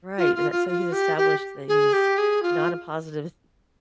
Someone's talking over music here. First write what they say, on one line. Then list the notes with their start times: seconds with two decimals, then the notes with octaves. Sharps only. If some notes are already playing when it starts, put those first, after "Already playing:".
Right, and that so he's established that he's not a positive s
0.17 F4
0.35 F4
0.51 F4
0.68 F4
0.92 G4
1.17 G4
1.68 G#4
1.92 G4
2.17 G#4
2.42 F4